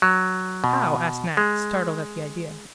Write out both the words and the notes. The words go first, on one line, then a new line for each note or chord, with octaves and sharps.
"How?" asked Nat, startled at the idea.
F#3
B2
G#3